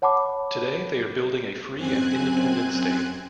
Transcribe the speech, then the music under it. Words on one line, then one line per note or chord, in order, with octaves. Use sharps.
Today, they are building a free and independent state.
C#5 F#5 A5 B5 D6
F#2 C4 G#5 F#6 G#6